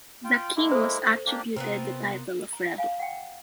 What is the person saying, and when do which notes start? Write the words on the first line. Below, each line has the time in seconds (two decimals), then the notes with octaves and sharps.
The King was attributed the title of rebel.
0.25 F4 G5
0.56 G#3 A#3 E4
0.71 A4 C5
1.26 A#3 D4 G4
1.56 C3 B3 C4 F4 A#4
2.53 A#5
2.78 F5 G#5
3.00 F#5 G5